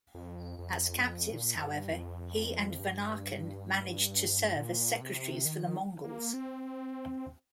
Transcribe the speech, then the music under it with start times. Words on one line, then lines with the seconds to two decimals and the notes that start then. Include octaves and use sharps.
As captives, however, he and Vanakan managed to serve as secretaries for the Mongols.
0.15 F2
0.59 F2
0.98 G2
1.03 F2
1.32 A#2
1.55 F2
1.62 G2
1.91 F2
2.79 G2
4.56 A#2
5.01 C3
5.45 D#3
6.04 A#3
6.34 C4